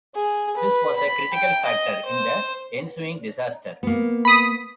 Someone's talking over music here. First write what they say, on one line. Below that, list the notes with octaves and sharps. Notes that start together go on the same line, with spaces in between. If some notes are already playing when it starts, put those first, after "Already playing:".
This was a critical factor in the ensuing disaster.
G#4
B4
B5
G5
D#5
C5
A#3 B3
B5 D#6